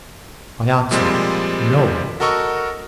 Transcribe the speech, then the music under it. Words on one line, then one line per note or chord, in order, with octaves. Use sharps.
I answered, No.
A#2 F3 G3 G#3 C4
F#4 A4 A#4 D#5 C#6 E6